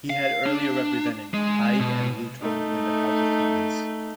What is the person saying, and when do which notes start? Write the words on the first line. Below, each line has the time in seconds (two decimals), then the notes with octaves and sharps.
He had earlier represented Hyde and Luton in the House of Commons.
0.10 F5
0.46 D4
1.34 G#3
1.80 B2
2.41 A3 D#4